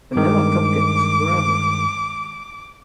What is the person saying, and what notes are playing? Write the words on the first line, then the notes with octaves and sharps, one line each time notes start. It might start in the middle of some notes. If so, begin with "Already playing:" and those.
Vanilla cupcakes forever.
G2 D#3 G#3 D6